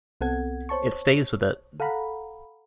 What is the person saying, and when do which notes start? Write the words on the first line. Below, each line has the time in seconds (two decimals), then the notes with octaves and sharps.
It stays with it.
0.21 C2 B3 C4 A4 F#5 G#6
0.69 C5 C#5 A5 C#6
1.80 A4 F5 F#5 A#5 B5